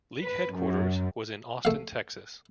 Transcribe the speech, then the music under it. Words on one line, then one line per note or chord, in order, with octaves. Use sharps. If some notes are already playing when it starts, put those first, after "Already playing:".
League headquarters was in Austin, Texas.
B4
F#2
A3 F5